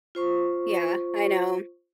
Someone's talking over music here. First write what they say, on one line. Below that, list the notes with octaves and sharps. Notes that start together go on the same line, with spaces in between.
Yeah, I know.
F4 C5 C#6